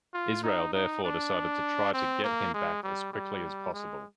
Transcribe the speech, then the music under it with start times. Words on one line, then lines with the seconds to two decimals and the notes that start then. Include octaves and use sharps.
Israel therefore decided to try to get him back as quickly as possible.
0.14 F4
0.43 D#4
0.74 D#4
1.04 D4
1.94 C4
2.24 A#3
2.54 G#3
2.83 G3
3.13 G3
3.74 G#3